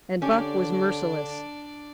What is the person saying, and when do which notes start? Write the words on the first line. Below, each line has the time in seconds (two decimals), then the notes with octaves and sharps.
And Buck was merciless.
0.22 D3 C#4 D4 G4 D5